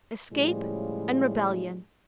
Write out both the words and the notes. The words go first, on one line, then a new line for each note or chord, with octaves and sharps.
Escape and rebellion.
A2 C#3 F3 G3 G#3